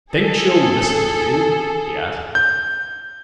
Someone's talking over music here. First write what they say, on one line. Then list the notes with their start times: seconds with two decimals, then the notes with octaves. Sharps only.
"Think she'll listen to you?" he asked.
0.14 G#4 A4
2.35 G6